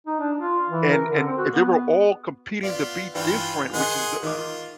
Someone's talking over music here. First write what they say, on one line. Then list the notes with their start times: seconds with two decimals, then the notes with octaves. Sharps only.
And and they were all competing to be different, which is the
0.07 D#4
0.20 D4
0.38 F4
0.69 E3
0.90 A#4
1.10 D3
1.26 C4
1.38 F#4
1.52 B3
2.63 B3 F4 D5
3.14 G2 E3 D4 F4 B4 G5
3.74 D#3 G#4 F#5 C6
4.23 D#3 F4 D6